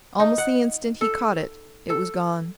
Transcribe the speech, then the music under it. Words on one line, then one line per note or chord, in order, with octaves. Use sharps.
Almost the instant he caught it it was gone.
D#4
F#5
A4
A4